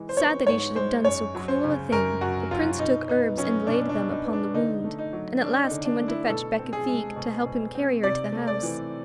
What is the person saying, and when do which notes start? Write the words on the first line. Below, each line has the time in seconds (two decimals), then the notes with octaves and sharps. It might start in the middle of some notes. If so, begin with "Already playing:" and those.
Sad that he should have done so cruel a thing, the Prince took herbs and laid them upon the wound, and at last he went to fetch Becafigue to help him carry her to the house.
Already playing: G#2 E3 G#3
0.09 C5
0.17 B3 C#5
0.46 G#2 C#5
0.75 G#3 C5
1.05 F#2 C#5
1.35 F#3
1.48 C5
1.64 C#3
1.92 F#2 A#4
2.21 F#2 F#4
2.51 F#3 F4
2.79 B2 D#4
3.09 B3 D#4
3.37 F#3 C#4
3.67 B2 D4
3.89 D4
3.96 B2
4.10 D#4
4.25 B3
4.33 D4
4.54 D3 D#4
4.84 A3
4.99 D#4
5.13 F#3
5.42 C#4 D4
5.64 D#4
5.71 D3
5.85 D4
6.01 A3
6.08 E4
6.29 B2 A4
6.59 C4
6.73 G#4
6.88 G#3
7.16 B2
7.46 B2
7.75 C4
8.03 C3 D5
8.33 A3
8.47 D5
8.63 E3